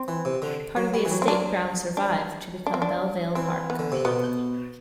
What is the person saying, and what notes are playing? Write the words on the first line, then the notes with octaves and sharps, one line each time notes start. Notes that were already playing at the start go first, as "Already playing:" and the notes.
Part of the estate grounds survived to become Belle Vale Park.
Already playing: C4
E3
C3
D3
F#3
G3
E3
F#3
C4
F#3 D4
D4
D4
C4
D4
E3 C4
B3
D3
C3
B2 B3